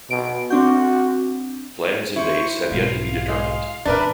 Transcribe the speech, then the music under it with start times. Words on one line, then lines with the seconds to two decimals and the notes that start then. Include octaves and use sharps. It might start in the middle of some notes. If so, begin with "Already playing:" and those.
Plans and dates have yet to be determined.
0.11 B2 D7
0.50 C4 D4 F#4 G6
2.16 E4 C5 C#6
2.71 B1 G#2 F5
3.28 G#3
3.85 E2 A#2 D4 A#4 B4 D5 E5